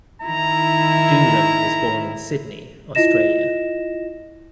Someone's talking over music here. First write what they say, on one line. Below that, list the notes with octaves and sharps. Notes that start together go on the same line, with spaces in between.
Doolan was born in Sydney, Australia.
D#3 E4 A#5
E4 F4 D#5 A#6 E7